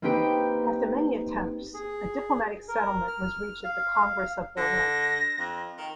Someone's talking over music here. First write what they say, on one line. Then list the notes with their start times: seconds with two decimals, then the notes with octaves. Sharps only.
After many attempts, a diplomatic settlement was reached at the Congress of Berlin.
0.02 A#3 C4 D#4 G4 B4 G5
1.74 G#4
2.69 A#4
3.07 F6
3.64 F5
4.57 D3 A#6
5.39 F2
5.78 D#3